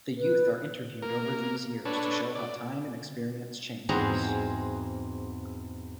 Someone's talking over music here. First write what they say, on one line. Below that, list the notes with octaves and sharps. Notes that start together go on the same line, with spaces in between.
The youth are interviewed over these years to show how time and experience changes.
B4
A#3 A#4
D4 A4 B4 C#5
D5
E2 G#2 C4 F#4 G#4 A#5